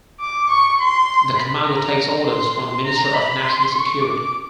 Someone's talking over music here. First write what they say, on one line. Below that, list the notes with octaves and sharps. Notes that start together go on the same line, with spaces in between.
The commander takes orders from the Minister of National Security.
D6
C#6
C6
B5
A#5
C6
A#5
B5
C6
C#6
D6